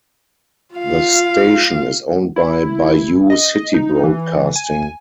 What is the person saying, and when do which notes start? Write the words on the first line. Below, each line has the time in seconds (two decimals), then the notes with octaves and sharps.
The station is owned by Bayou City Broadcasting.
0.75 F4 F5
2.36 E4
3.30 D#5
3.74 D#4
4.03 E3
4.56 G#5